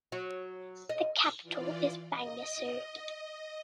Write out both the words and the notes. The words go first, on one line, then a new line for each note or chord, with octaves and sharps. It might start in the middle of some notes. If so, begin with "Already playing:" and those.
The capital is Bangassou.
F#3
D#5
E3 F4 D5
D#5